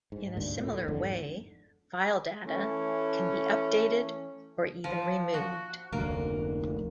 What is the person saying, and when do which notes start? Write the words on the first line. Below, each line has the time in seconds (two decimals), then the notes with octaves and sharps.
In a similar way, file data can be updated or even removed.
0.12 G#2
0.36 D2 G2 A#2
0.59 A2
0.88 F2 G#2 D3
2.46 E3 A3 C#4
4.84 F3
5.34 F#4
5.93 F1 D2 A#3